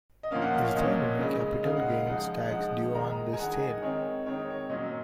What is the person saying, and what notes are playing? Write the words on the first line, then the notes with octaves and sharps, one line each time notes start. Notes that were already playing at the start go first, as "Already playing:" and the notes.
Is there any Capital Gains tax due on this sale?
D#5
A#2 F3 A#3 C#4 F5
F#5
F5
C#5
A#2 F3 A#3 C#4 D#5
C#3 G#3 D#4
C#3 G#3 D#4 F5
F#5
F5
F3 G#3 D#4 F#5
F3 G#3 D#4 F#5
D#3 G#3 D#4 A#5
G#5
D#3 G#3 D#4 F#5
D#5
D#3 G#3 C4 D#4 C#5
D#3 G#3 C4 D#4 C#5
D#5
C#5
A#2 F#3 C#4 D#5